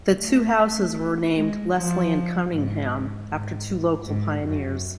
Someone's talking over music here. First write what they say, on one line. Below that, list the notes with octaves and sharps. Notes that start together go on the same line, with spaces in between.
The two houses were named Leslie and Cunningham, after two local pioneers.
A3
G#3
F3
G#2
G#2
G#2
F#2